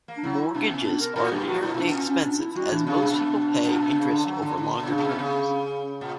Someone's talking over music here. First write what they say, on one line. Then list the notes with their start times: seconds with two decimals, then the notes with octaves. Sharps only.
Mortgages are inherently expensive as most people pay interest over longer terms.
0.08 A#3
0.17 D4
0.24 F#3 E4
0.54 B2 D4
0.70 C#4
0.85 D4
1.01 A#4
1.16 A#2 A#4
1.31 G2 G4
1.43 E4
1.47 A#2 F#4
1.63 A#2 E4
1.74 B2 D4
1.85 A#2
1.94 C#4
2.10 C#4
2.25 D4
2.40 E4
2.52 E4
2.55 G3 F#4
2.71 E3 D4
2.86 C#3 D4
3.02 B2 D4
3.64 A#2
3.80 B2
3.96 C#3
4.11 D3
4.26 F#3
4.42 D3
4.57 D3
4.80 B2
4.89 C#3 D4
4.98 A#2
5.04 B2 C#4
5.19 C#3 C#4
5.46 C#4
6.01 A#2